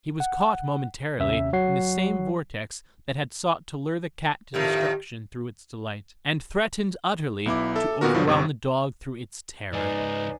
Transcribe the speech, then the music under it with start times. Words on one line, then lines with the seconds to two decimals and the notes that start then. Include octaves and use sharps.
He was caught momentarily in the same vortex that had sought to lure the cat to destruction through its delight, and threatened utterly to overwhelm the dog through its terror.
0.20 F#5
1.19 D#2 C3 C#4 E5
1.53 G1 F#3 C#5 F#5 C7
4.54 F2 A2 D#3 G4
7.46 B1 B3 E4 D6
7.76 A4 E5
8.01 A#2 D#3 B3 F#4 A#4
8.14 G2 B2 F3 F#3
8.27 G1 C3 D#4 C#6
9.73 C#2 G#2 D#4 B4 D5 G#5 C7